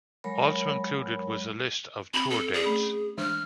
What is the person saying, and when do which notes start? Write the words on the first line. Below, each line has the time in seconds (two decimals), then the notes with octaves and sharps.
Also included was a list of tour dates.
0.24 F#3 G#3 A#4 C#5 B5
2.14 C4 B5
2.30 A4
2.54 G#4 D5
2.65 A3 C#4 B5
3.18 E3 G#3 D4 F6